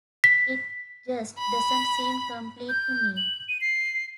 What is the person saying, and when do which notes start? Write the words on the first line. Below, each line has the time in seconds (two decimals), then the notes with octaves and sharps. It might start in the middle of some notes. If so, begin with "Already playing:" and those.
It just doesn't seem complete to me.
0.24 B6
1.38 B5
2.69 G6
3.17 F#7
3.49 D#7
3.61 C7